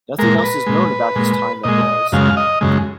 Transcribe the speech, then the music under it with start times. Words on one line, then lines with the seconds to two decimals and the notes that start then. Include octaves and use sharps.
Nothing else is known about his time at Wells.
0.18 A#2 G#3 A#4
0.39 A#4
0.43 B4
0.67 A#2 G#3
1.16 A#2 G#3
1.64 A#2 G#3 D#5
2.12 F#2 C#3 G#3 F5
2.37 D#5
2.61 F#2 C#3 G#3